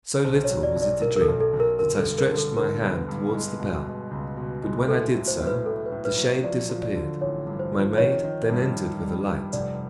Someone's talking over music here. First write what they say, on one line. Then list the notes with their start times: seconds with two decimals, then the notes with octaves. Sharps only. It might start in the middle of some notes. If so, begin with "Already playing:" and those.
"So little was it a dream, that I stretched my hand towards the bell; but when I did so, the shade disappeared; my maid then entered with a light."
0.25 B1 C5
0.44 C#5
0.50 F#3
0.63 D5
0.76 B1
0.82 D5
1.01 B1 A#4
1.16 A#4
1.21 A4
1.28 B1
1.41 A4
1.54 B1
1.60 A#4
1.79 D3 A#4
1.99 A4
2.05 G2
2.18 A#4
2.31 D3
2.37 A4
2.57 D3 A#4
2.82 B3
2.95 B4
3.08 G2
3.34 G#3
3.60 B2
3.86 G#3
4.11 C#2
4.37 B2
4.63 G#3
4.88 A2 A4
5.15 F#3
5.28 C5
5.41 A2
5.47 B4
5.66 A2 A4
5.86 B4
5.92 A2
6.05 B4
6.18 F#3
6.24 C5
6.43 F3 D5
6.69 F3
6.82 D5
6.95 D3
7.21 A1 C#5
7.47 G2
7.59 C5
7.73 F3
7.98 D#3 C#5
8.24 D#3
8.50 G2
8.76 D#3
9.01 G3
9.27 G2
9.53 F1 D5